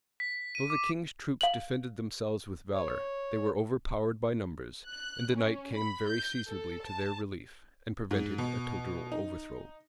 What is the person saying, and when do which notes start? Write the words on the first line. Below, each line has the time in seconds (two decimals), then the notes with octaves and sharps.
Though the king's troops defended themselves with valor, they were overpowered by numbers; and the night came very seasonably to their relief, and prevented a total overthrow.
0.20 B6
0.55 D#7
0.70 D6
1.41 F5 F#7
2.73 C#5
4.87 F#6
5.35 C#4
5.73 B5
6.08 G6
6.48 A4
6.84 A5
8.11 G#2
8.38 B2
9.12 D#4